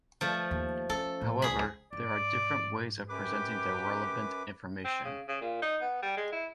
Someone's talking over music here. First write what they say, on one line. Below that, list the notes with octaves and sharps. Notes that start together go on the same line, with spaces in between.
However, there are different ways of presenting the relevant information.
F3 A3
D#2
C#4 A4
A2
C#2 G#4 B5
G#2 D5
F#2 G4 B4 D6
C4
C#3
C#3
A#2
D#4
B3
G3
G#3
E4